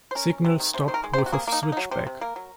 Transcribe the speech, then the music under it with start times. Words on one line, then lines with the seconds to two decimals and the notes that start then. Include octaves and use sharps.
Signal stop with a switchback.
0.11 C5
0.15 C#4 A#4
0.30 C#4
0.45 C3
0.60 D#3
0.74 C3 C5
0.88 D#3 C5
0.94 A#4
1.04 G#3
1.14 C5
1.18 C3
1.26 F#4
1.32 A#3 G#4
1.48 A#3 D#4
1.63 A#3
1.72 D#4
1.77 F#3
1.91 C3 C5
2.07 C3
2.21 A#3 A#4
2.36 F#3